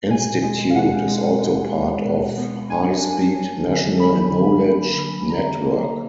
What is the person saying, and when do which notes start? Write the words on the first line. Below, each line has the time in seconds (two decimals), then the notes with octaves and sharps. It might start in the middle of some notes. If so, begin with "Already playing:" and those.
Institute is also part of high speed National Knowledge Network.
0.10 B2 G#5
0.43 G#3
0.70 F5
0.75 B2 F#5
1.07 G#3
1.40 G#3
1.72 G#3
2.05 B2
2.37 B3
2.69 D4 G#5
3.01 D4
3.35 F#3
3.67 D3
4.00 F#3 B5
4.31 D3
4.64 A#3
4.96 D3
5.29 D3 A#5
5.61 A#3